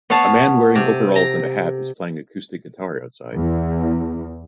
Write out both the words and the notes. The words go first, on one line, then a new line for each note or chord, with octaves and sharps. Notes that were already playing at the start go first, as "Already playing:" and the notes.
A man wearing overalls and a hat is playing acoustic guitar outside.
B3 C#5 F5 F#5 A5
C3
A#5
E2